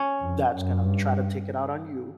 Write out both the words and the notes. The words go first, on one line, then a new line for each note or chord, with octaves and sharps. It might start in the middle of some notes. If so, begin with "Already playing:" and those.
that's gonna try to take it out on you
Already playing: C#4
F2
F#2
G2